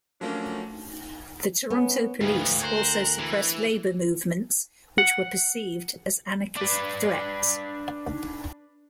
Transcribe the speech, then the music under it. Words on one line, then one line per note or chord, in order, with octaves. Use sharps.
The Toronto Police also suppressed labour movements which were perceived as anarchist threats.
F3 F#3 A3 A#3 C#4 D4
B3 C#4
D2 G#2 F3 B4
A#4 C5 C#5 F#6
E3
F#5
D4 B4